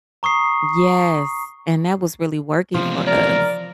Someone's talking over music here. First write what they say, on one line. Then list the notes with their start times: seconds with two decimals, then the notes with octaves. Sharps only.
Yes, and that was really working for us.
0.23 A#5 C#6 D#6 C7
2.74 E2 C3 F3
3.07 A#4 D5